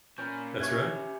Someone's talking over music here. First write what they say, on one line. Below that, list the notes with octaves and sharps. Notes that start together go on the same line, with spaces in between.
that's right.
A#2 C#4 B5 G6
G4 C#5 E5 C#6 F#6 G#6